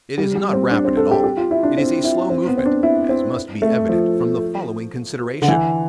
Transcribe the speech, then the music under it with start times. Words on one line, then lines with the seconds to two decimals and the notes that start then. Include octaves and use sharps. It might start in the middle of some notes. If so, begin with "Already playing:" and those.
It is not rapid at all: it is a slow movement, as must be evident from The following consideration.
0.18 G3
0.35 G3
0.53 C4
0.71 D4
0.85 C4
0.97 A4
1.11 G4
1.24 G4
1.37 F4
1.51 E4
1.63 D4
1.78 C4
2.04 E4
2.30 C4
2.47 B3
2.57 C4
2.66 D4
2.83 E4
3.09 C4
3.62 A3
3.89 F3
5.42 D3
5.48 E3